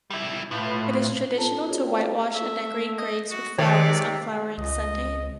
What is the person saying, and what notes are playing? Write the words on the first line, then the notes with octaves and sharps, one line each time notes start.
It is traditional to whitewash and decorate graves with flowers on Flowering Sunday.
G3 E4
A2 E4 F4 B4
B3 F4 A4 B4 A5 A#5
F4 F#4 G#4 A#4 C#5 D5
G#4 A4 C5 D5 F5 G5
A3 E5
D#5
F#4
C3 D#3 C#5 D5
C#2 D#5